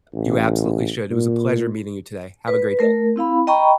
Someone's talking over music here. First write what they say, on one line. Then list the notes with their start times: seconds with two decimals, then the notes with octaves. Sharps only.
You absolutely should. It was a pleasure meeting you today. Have a great day.
0.14 A1
1.10 A#2
2.48 B4
2.79 A3 A#4
3.16 C4 E4 F5 B5
3.47 D#5 G5 A#5 B5 C#6